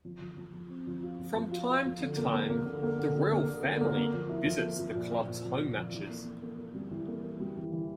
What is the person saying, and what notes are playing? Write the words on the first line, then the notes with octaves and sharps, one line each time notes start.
From time to time the royal family visits the clubs home matches.
F3
F3
F3
F3
C4
F3
F4
F3
F3
F4
F4
F3
D3
A#3
A#3
A#3
D3
A#3
D3
D3
A#3
D3
D3
A#3
A#3
F3
E4
F3
A#3
F3
A#2
F3
A#2
F3
F3
F3
E3
A#3
A#3
A#3
A#3
G3
E3
A#3
A#3
G3
E3
E3